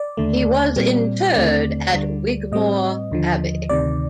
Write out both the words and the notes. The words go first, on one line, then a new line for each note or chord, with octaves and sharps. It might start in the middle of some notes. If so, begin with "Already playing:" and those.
He was interred at Wigmore Abbey.
Already playing: D5
D#2 D3 A3
A#2 G3 C4
D#2 D3 A3 C4 D5
D2 D3 G3
A2 G3 C4 D#5
D#2 D3 F3
D2 C3 D#3 D5